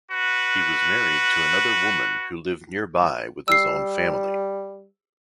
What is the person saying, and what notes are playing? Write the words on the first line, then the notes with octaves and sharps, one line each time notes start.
He was married to another woman who lived nearby with his own family.
F#4 B4
G3 E6 C7